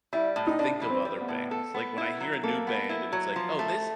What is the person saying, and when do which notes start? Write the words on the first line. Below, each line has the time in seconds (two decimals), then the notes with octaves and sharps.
think of other bands, like, when I hear a new band, and it's like, "Oh, this
0.13 G3 E4
0.36 A2
0.47 D#4
0.59 A2 D4
0.82 E3
0.90 C4
1.05 G3
1.21 B3
1.28 A2
1.51 A4
1.74 B3
1.98 E4
2.20 F#3
2.43 A#3 A4
2.67 B3
2.89 E4
3.12 F#3
3.36 F3
3.59 A3